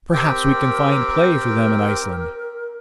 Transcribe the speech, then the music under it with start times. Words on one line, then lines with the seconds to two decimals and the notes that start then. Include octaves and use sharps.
"Perhaps we can find play for them in Iceland."
0.13 C4 G4 A#4 G5